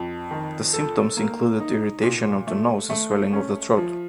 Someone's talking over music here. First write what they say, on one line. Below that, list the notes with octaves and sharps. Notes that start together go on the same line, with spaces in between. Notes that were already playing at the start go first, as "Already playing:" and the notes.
The symptoms included irritation of the nose and swelling of the throat.
Already playing: F2
D#3
A4
A#3
D#4
A#2
A3
A3
C#4
F3